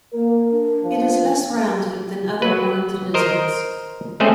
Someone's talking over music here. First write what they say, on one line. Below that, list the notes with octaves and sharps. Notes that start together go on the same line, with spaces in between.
It is less rounded than other horned lizards.
A#3 A#4
D4
F3
F#3 B4
A#4 C5 D#5
G#3 A3 C4 C#4 G#4 C5